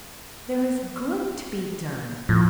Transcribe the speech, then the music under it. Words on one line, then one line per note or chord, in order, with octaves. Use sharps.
There is good to be done!
E2 A2 F3